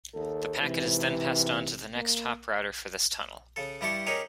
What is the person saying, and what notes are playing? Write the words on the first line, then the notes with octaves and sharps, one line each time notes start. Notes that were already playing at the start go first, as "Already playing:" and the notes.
The packet is then passed on to the next hop router for this tunnel.
D#2 A4
G#2 C3 E3
A#3
C#3 A4
G2 G3 E4 G4 A5 C#6
C#4 D#4 G4 G#4 A#4 C#5